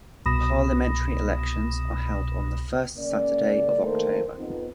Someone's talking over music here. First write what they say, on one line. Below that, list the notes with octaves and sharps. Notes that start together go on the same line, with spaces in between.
The parliamentary elections are held on the first Saturday of October.
C2 B2 B5 D#6 A#6 E7
C#3 A#3 C#4 D5
D#3 A3 A#3 A4 A#4 C5
F2 B3 D#4